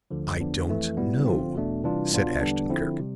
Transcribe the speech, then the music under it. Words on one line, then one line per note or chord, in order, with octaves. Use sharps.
"I don't know," said Ashton-Kirk.
D2 D3 F3
E2 D3 F3 B3 D4
F2 E3 A3
B2 G3 B3 E4
D3 F3 C4 F4
E2 B2 A3 D4
C3 E3 G3 D4 F4
C2 B2 B3 D4 F4
E2 D3 G3 B3 D4
D3 F3 C4 E4
C3 G3